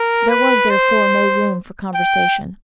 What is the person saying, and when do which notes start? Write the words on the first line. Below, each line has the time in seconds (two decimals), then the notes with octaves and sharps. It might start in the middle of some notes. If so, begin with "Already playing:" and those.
There was therefore no room for conversation.
Already playing: A#4
0.29 B4
0.70 C5
1.94 G5